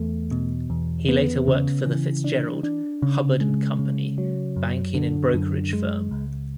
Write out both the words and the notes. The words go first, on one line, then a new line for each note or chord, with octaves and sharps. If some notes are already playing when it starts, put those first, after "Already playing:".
He later worked for the Fitzgerald, Hubbard and Company banking and brokerage firm.
Already playing: E2 A3
B2
E2
B3
C#3
E3
D4
D4
C#3
G#3
C#3
F#3
F#2
D3
F#2
G#3
C#2